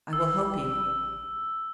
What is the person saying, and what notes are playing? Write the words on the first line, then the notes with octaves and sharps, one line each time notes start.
"I will help you."
A1 E6